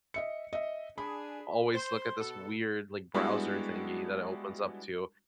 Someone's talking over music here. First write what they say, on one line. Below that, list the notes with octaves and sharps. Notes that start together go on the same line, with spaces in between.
always look at this weird, like, browser thingy that it opens up to,"
D#5 E5 C#7
D#5 E5
D4 G#4 B5
C5
B2 F#4 A4
G3 G#3 B3 D4 E4 F#4